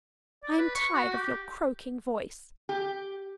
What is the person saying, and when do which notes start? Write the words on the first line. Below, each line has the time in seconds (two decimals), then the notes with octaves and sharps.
I am tired of your croaking voice.
0.43 D5
0.58 B4
0.75 C#6
0.94 F#4
1.12 G4
2.69 G4